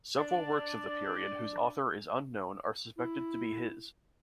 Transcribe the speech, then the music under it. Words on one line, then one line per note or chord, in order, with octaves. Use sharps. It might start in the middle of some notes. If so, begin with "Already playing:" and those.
Several works of the period whose author is unknown are suspected to be his.
D4 D5
E4